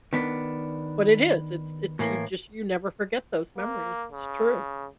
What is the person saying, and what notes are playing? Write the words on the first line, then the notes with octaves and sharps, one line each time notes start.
but it is, it's it's you just you never forget those memories. It's true.
D#3 B3 D4
A2 E3 A#3
A#3
C#3